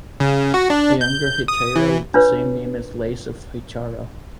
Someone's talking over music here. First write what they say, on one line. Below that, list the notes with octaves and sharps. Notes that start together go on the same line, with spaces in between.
A younger hetaira with the same name was Lais of Hyccara.
C#3
F#4
D4
G6
D#6
E3
D4 F4 B4 C#5